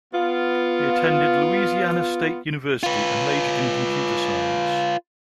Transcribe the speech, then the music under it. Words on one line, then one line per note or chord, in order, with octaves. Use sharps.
He attended Louisiana State University and majored in Computer Science.
B3 F4
F4 B4